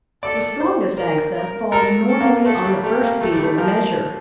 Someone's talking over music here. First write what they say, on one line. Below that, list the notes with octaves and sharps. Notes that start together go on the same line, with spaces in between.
The strongest accent falls normally on the first beat in the measure.
A4 D5
C5
A#4
A#4
A4 A#4
A4
A#3
A3 A4
G3
A3 G4
A#3
A3 A4
G3
A3
F3 A#4